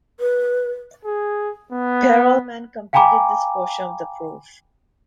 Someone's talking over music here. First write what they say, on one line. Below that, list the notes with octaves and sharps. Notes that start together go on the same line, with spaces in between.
Perelman completed this portion of the proof.
B4
G#4
B3
F5 G5 G#5 A#5 B5 D6